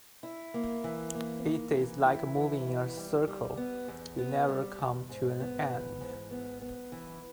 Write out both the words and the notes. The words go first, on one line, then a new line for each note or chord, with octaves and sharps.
It is like moving in a circle - you never come to an end.
E4
A#3
E3
A#3
A#3
E3
E4
E3
B3
G3
G3
B3
E2
B3
G3
E2
G#2
B3
E3
G#2
B3
B3
E3